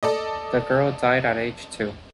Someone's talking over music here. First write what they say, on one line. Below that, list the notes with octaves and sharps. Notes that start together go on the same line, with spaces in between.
The girl died at age two.
A4 D5 D#5